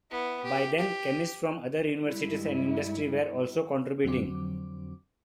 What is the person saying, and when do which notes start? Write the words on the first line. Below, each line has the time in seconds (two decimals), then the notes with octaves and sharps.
By then, chemists from other universities and industry were also contributing.
0.11 B3 E4
0.43 G4
0.78 G4
2.01 G2 G3 G#3 E4
4.04 F2 D3 F#3 C4 D6